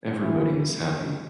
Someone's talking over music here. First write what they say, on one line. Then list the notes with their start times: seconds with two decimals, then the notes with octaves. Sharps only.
Everybody is happy.
0.21 E3